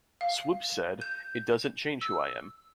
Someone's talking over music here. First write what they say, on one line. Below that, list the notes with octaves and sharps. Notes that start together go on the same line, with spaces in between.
Swoopes said, it doesn't change who I am.
F5
G6
E6